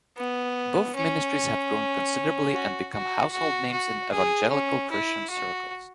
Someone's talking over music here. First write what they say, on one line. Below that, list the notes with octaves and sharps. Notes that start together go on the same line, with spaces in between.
Both ministries have grown considerably and become household names in evangelical Christian circles.
B3
C#4
F#4
F#4
F#4
F#4
G#4
C#4
E4
F#4